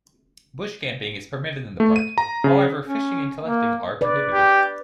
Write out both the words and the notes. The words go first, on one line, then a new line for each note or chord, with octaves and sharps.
Bush camping is permitted in the park, however fishing and collecting are prohibited.
A3
D#7
A#5
C#3
C#4
A#3
B4 D5
G4